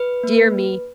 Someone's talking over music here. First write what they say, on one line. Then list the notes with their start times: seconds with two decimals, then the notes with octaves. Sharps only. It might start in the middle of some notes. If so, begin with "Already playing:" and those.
Dear me!
Already playing: B4
0.23 A#3